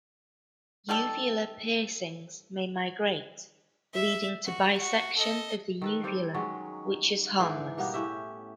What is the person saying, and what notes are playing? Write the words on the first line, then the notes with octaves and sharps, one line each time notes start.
Uvula piercings may migrate leading to bisection of the uvula, which is harmless.
D#3 G3 G4 A4
E5
F#4
F#4
A4 D#5
D#3 A4 B4
G3 C4 D5
D#3 F#3 G#3 C#4
G#2 E3 D4 D#4
B2 G3 A#3 B3
A2 C#4 G4 E5